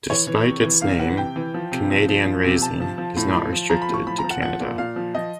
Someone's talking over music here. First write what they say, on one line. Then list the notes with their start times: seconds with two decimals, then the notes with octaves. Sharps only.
Despite its name, Canadian raising is not restricted to Canada.
0.10 E3 C#5
0.27 E3
0.45 C3
0.64 E3
0.81 C3 F5
0.99 E3 F#5
1.18 C3 G5
1.36 E3
1.54 F3
1.72 C3
1.90 F3
2.08 F3
2.26 F3
2.45 C3
2.62 C3 A5
2.80 F3
2.98 F3
3.17 A2
3.35 F3
3.52 F3
3.70 F3 A#5
3.82 B5
3.89 A2 C#6
4.07 F3 B5
4.19 A#5
4.24 F3
4.30 F#5
4.42 F3 F#5
4.60 A#2
4.78 A#2 F5
4.96 F3
5.15 F3 D#5